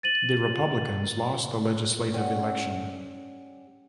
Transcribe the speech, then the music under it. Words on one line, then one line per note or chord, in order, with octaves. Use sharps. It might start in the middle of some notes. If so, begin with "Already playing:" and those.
The Republicans lost the legislative election.
A6 D#7 F#7
G3 C#4 D5 F#5